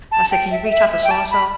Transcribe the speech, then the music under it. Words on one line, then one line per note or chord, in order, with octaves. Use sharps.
I said, "Can you reach out to so-and-so?"
A5
G5
E5
E5
E5
G5
A5
B5